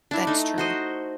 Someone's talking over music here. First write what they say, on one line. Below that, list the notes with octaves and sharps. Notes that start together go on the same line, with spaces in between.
That's true.
D4 E4
A3 D#4
F#4 C5 D#5